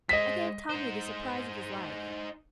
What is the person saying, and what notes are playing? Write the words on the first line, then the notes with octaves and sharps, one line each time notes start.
'I gave Tommy the surprise of his life.
G#3 C5 D#5 B6
D#4 C5